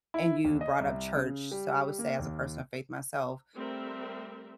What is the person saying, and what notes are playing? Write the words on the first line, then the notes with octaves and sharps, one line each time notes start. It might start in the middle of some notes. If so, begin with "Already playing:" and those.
and you brought up church, so I would say as a person of faith myself,
E4
D#2
D#5
C2
C#3
G3
A#3
D#2
G3 A3 C4 A#4 E5